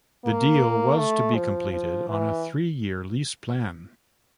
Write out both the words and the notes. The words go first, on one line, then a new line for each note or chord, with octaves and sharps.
The deal was to be completed on a three-year lease plan.
A#3
A3
F3
F3
E3